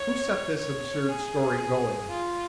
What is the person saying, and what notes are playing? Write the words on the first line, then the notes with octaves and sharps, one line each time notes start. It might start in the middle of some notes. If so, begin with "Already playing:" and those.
"Who set this absurd story going?"
Already playing: C#5
C#5
G#4
F4